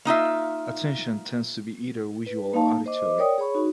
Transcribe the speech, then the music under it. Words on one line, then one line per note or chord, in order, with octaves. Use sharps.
Attention tends to be either visual or auditory.
A#3 D#4 F4 E5
B4
A#3 D#4 F5 A5
C5 D#5 D6
A#4 C#5 D5 G5 D#6
G#4 C#5 B5 C#6
D#4 F#4